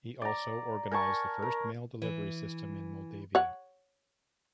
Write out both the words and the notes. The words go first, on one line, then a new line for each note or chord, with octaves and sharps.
He also organized the first mail delivery system in Moldavia.
D5 A#5
A#4 G#5 A5 C#6
A#4
E3
C#5 F#5